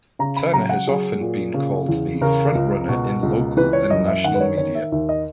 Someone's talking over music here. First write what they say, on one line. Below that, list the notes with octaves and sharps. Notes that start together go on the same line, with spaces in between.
Turner has often been called the "frontrunner" in local and national media.
C#3 A#5
B5
F#3 A#5
F#5
F#3 G#4
A#2
C#3
E2
C#3 A#4
C#2
B2
C#2
E3 B4
C#5
F#2 D#5
E5
D#3 F#5
B4
C#5
D#3 C#5
E5
D#2 E5
D#5